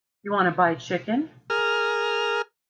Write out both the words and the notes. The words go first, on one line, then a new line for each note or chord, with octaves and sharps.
You want to buy chicken?
G#4 A#4 F6